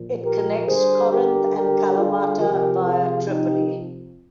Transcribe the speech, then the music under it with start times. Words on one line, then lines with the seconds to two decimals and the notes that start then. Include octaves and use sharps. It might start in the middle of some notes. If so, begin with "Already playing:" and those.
It connects Corinth and Kalamata via Tripoli.
Already playing: A#2 F3
0.24 G4 A#4
0.67 D3 G3 G#4 C5
1.11 G4 A#4
1.54 G4 A#4
1.97 F4 G#4
2.40 C3 F3 G4 A#4
2.84 F4 G#4
3.27 D#4 G4